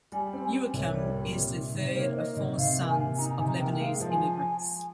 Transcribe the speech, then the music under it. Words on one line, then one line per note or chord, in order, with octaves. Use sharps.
Youakim is the third of four sons of Lebanese immigrants.
G3 G#5
C4
G#5
C4
C2 C#5
G3
A#2
C3
D#3
C3
C5
A#3 C#5
D#3 D#5
C3 D#5
C3 F5
A#3
G#5
C3
D#4 A#5
A#5
C3 G#5
A#3 G5
G#3 F5
F3
G#5